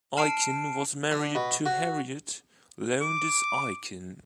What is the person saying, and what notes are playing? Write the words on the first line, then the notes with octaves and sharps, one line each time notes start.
Aiken was married to Harriet Lowndes Aiken.
A5 F6 C7 D7
D3
B2
F#4
D6